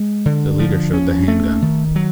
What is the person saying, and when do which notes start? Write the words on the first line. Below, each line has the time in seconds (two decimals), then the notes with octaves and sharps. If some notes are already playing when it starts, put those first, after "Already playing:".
The leader showed the handgun.
Already playing: G#3
0.26 D3
0.60 F3
0.93 C#4
1.28 A3
1.62 D#3
1.96 F#3